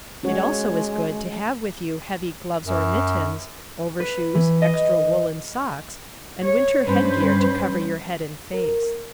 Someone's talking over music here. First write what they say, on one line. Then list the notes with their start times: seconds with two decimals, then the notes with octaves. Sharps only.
It also is good to have with you heavy gloves or mittens, overshoes, extra woolen socks, and winter headgear to cover your head and face.
0.23 G#3 C#4 F#4 C#5
2.64 F#2
4.00 B4
4.34 E3
4.62 D#5
6.42 C#5
6.86 G2 C#4 B4 C5
8.53 A#4